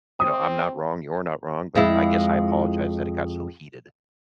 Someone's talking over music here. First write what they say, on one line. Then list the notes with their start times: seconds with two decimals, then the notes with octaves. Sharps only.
you know, "I'm not wrong, you're not wrong, but I guess I apologize that it got so heated."
0.20 C4 D#6
1.75 F2 G#3 E4